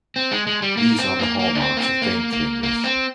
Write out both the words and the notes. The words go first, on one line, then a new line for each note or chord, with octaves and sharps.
These are the hallmarks of game changers.
C4
G#3
G#3
G3
A#3
C4
A#3
A#3
D4
C4
A#3
C4
A#3
A#3
A#3
C4